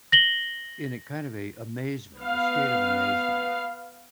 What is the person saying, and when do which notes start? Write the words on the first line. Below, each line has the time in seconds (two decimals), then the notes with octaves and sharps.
in a kind of a amazement, a state of amazement,
0.12 A#6 F#7 G7
2.18 B3 F5